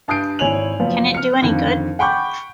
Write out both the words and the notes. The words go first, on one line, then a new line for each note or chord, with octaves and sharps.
Can it do any good?
G2 A5 D#6 G6 C7 D7
G#1 E4 C#5 G#5 F7 F#7
F#1 F3 B3
F6 C#7
F2 D3 D#3 F3
F#5 G5 B5 C#6 D6 G6